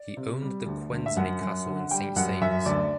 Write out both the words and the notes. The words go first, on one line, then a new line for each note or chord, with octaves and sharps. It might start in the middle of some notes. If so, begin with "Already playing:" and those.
He owned the Quesnay Castle in Saint-Saëns.
Already playing: D5
C3
G3
D2
D2
E5
F#2 F#5
F#2
D3
G3 G5
F#2 F#5
F#2 E5
D2 D5